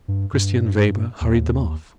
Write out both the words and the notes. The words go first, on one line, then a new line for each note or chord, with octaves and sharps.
Christian Weber hurried them off.
G2
G2
D#2